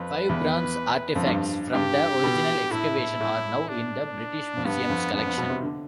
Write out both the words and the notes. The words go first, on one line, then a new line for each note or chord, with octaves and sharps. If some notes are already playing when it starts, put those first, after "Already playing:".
Five bronze artefacts from the original excavation are now in the British Museum's collection.
Already playing: F2 B4
E2
F2
G2
G2 G4
B2
A2 E4
A2
A2
D4
F2
G2 B3
F2
F2 B3
F2
B2
C3
D3